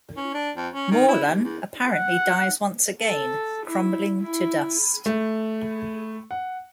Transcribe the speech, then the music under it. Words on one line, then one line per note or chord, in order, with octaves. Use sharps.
Morlun apparently dies once again, crumbling to dust.
C#4
D4
F2
C#4
D#3
E4
D#2
E2
F#5
A4
E4
E4
A3
F#5